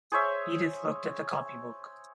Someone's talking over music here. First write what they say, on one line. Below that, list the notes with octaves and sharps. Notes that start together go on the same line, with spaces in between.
Edith looked at the copybook.
G#4 C5 C#5 E5